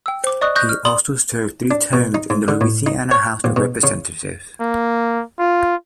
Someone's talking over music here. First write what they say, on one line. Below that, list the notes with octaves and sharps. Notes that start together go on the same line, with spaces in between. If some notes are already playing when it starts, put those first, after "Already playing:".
He also served three terms in the Louisiana House of Representatives.
G5 E6
C5 D6
D5 D#5 C#6 D#6 F#6
C#6 D#6 F#6 G6 A#6
F6
D5 B5 C6 D#6 F#7
D4
B2
D#4
G#2
D3
A2
D#4
C#5
A#1
B2
C#3
A#3
F4